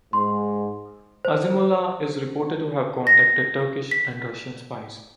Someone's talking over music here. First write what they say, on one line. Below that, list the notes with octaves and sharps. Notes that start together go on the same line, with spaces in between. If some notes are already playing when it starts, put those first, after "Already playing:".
Azimullah is reported to have contacted Turkish and Russian spies.
G#2 C6
C5
A#6
B6